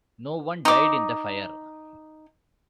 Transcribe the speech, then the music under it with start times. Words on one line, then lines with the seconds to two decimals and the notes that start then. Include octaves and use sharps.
No one died in the fire.
0.65 D#4 D6